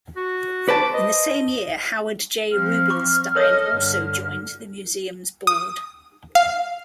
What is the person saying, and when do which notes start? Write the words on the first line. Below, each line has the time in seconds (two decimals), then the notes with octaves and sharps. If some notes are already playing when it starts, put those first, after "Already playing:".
In the same year, Howard J. Rubinstein also joined the museum's board.
0.16 F#4
0.68 B4 C5 A5 D6
0.94 D#5
2.52 F3 C4 F6
2.90 C#6 D6
3.35 A4 A#4 C#5 D#5 D#6
3.71 G2 D3
5.47 D#6
6.35 F5